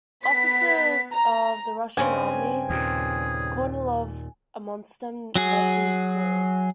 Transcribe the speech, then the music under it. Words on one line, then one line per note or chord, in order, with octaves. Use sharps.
Officers of the Russian Army, Kornilov amongst them, led these calls.
B3 B6
A#5
G2 C#3 C4 G#5
D#2 A#2 G#4
F#3 F#4 G#4